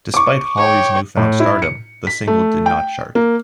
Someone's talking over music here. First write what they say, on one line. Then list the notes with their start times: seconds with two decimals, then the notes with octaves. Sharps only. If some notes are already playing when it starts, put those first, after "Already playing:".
Despite Holly's newfound stardom, the single did not chart.
0.14 C#6 D6
0.58 C#5 G5
1.17 A2
1.40 E4
1.62 C#7
2.07 B6
2.27 A3
2.66 G5
3.15 A#3